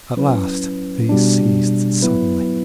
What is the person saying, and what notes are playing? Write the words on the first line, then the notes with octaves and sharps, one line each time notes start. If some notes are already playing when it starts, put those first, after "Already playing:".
At last these ceased suddenly.
F#3 C#4 E4 B4
B2 G3 D4
F#3 B3 E4 B4